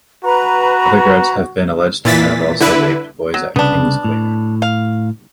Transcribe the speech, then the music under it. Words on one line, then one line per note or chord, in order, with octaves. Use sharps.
Other guards have been alleged to have also raped boys at Kingsclear.
F#4 B4 A#5
A#2 E3 A6 B6
D3 E4 B4
F#3
C2 C#3 B3 D4
A2
F5